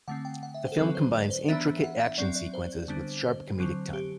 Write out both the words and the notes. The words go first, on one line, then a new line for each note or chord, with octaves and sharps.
The film combines intricate action sequences with sharp comedic timing.
D3 A3 C4 F#5
G5
F#5
E5
C5
A4
D3 F#3 C4 B4
C5
D5
C5
E3 B3 D4 E5
F#5
E5
F#3 C4 D5
D5
C5
D3 G3 B3 D4
C5
D3 F#3 C4
G4